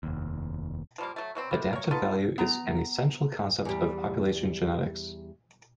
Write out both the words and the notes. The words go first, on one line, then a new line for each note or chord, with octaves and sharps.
Adaptive value is an essential concept of population genetics.
F1 D#2
F3 G3 A#3
F#3 A3
B2 F#3 C4
C3 G3
A#4 C#5
B3 D#4 F4 A4
B3 A#5
E2 G3